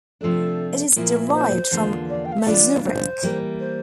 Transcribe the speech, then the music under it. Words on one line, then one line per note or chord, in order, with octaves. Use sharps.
It is derived from mazurek.
C3 F3 A3 D4 A4
A#2 F3 A#3 E4 A#4
C5
E2 D3 F3 A#3 F4
D5
G5
F5
E5
E3 G3 D4 F4 D5
C5
E3 G3 A#3
C5